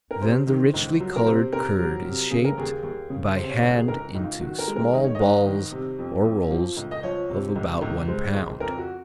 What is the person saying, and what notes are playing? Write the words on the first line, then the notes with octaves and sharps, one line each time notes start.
Then the richly colored curd is shaped by hand into small balls or rolls of about one pound.
A#4
C3 C5
D#3
C#2
F#3
A#4
C3 C5
C3 A#4
F#3
C3
C#3 G#4
A#4
D#2 G#4
D#2
C#3
C3 C5
C#5
C#2 F#4
G#4
C#2 A#4
C#2 D#4
F4
D#3 F#4
A#4
G#3
A#4
D#3 D#5
C#5
D#5
G#2
D#3
C3
F2
F2
F3
C#2
D#5
F3 C#5
C3
C#2
C#2
G#3 C5
C#2
F2 A#4
F#4